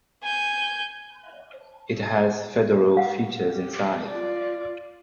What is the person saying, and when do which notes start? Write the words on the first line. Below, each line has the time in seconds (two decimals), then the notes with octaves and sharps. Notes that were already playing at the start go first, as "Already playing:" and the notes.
It has Federal features inside.
0.23 G#5 G6
2.97 F5 F#5
3.52 G4
4.08 F4 D5